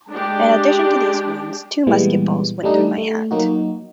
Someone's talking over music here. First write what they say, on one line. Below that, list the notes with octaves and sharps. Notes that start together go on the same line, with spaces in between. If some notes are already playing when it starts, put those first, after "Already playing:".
In addition to these wounds, two musket balls went through my hat.
G#3 D4 G4
A#2 E3 G3 G#3 B3
G3 A3 D4 D#4
A3
F#3 A#3 D#4 F#4